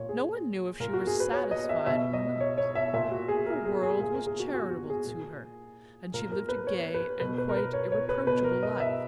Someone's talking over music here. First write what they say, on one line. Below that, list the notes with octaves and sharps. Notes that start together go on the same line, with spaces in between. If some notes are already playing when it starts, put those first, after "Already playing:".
No one knew if she were satisfied or not; her world was charitable to her and she lived a gay and quite irreproachable life.
Already playing: A#2 C#5
G#4
A#2 A#4
F#4
G#4
B4
C#5
D#5
E5
B2 E5
D#5
C#5
C#5
E5
A#2 E5
F#4
G#4
A#4
G#4
G#4
A#2 G#4
A#4
G#4
F#4
F#4
F#4
G#4
A#2
A#2 A#4
A#4
B4
C#5
B4
B2 B4
B4
A#4
B4
C#5
C#5
B4
B2 B4
A#4
D#5
E5